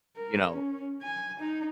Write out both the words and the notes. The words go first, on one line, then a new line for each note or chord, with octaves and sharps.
you know,
A#4
C#4
G#5
D#4